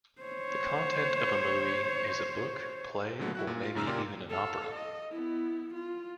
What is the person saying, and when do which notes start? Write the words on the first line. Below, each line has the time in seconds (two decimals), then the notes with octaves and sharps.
The content of a movie is a book, play or maybe even an opera.
0.21 C5 C#5
3.19 A#2 D3 F#3 A3 B3
3.35 E4 F#4 F#6
3.47 A#2
3.64 F4
3.75 F#2 C#3 A#5 E6 F6
3.87 A#2 A#3 G4 D5 C6
4.30 A4 F5
4.73 D#5
5.10 B3 E4
5.74 F4